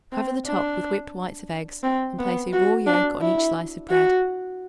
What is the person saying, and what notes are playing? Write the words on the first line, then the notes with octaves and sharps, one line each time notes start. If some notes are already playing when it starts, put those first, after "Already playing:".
Cover the top with whipped whites of eggs and place a raw yoke on each slice of bread.
C4
D4
C4
B3
F#4
D4
E4
F#4